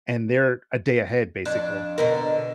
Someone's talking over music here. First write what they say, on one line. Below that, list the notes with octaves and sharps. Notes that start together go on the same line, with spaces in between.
and they're a day ahead, basically,
F2 D4
B2 D3 A#4